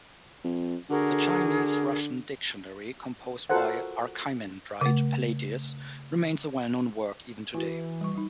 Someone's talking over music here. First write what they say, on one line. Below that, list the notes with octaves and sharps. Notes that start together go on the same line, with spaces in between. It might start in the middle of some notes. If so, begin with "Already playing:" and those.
The Chinese-Russian Dictionary composed by Archimandrite Palladius remains a well-known work even today.
F2
D3 F#4 G#4 A#4
F4 F#4 A4 A#4 C5 F#5
C#3 A3
E3 E4 F#4
G3 C#6
G3 D#4